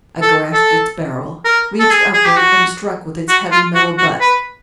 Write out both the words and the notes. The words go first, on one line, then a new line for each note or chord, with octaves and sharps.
I grasped its barrel, reached upward and struck with its heavy metal butt.
A4
A4
A#4
A4
G#4
G#4
G4
F#4
F#4
F4
F#4
F#4
B4